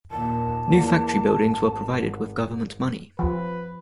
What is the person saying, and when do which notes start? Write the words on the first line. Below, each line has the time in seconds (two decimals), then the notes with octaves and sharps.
New factory buildings were provided with government money.
0.11 D#2 A#2 A5
0.69 E2 A#3
1.18 G#1
3.19 F3 B4